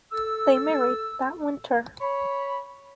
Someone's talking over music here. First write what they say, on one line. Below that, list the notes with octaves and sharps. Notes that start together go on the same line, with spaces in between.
They married that winter.
A4 E6
C#5 B5